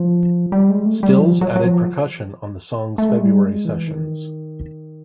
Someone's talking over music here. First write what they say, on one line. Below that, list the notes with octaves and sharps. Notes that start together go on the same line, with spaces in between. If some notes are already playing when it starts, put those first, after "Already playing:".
Stills added percussion on the song's February sessions.
Already playing: F3
G3
G#3
A3
G3
F3
F#3
F#3
F3
A3
G#3
G3
G#3
E3
D#3